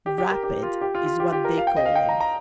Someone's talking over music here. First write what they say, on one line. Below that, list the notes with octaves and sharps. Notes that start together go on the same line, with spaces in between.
"Rapid" is what they call him.
G4
G4
A#4
G4
F4
G4
F4
F4
G4
G4
A#4
F5
G5
D#5
F5
G5
A#5
A#5